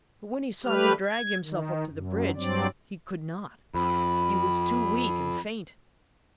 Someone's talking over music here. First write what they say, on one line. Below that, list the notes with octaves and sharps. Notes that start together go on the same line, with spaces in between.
But when he sought to drag himself up to the bridge, he could not, he was too weak and faint.
G3 A3 G4 B4 F6
G#6
D#3
F#2
G2 F#3 C4 D5
F2 B5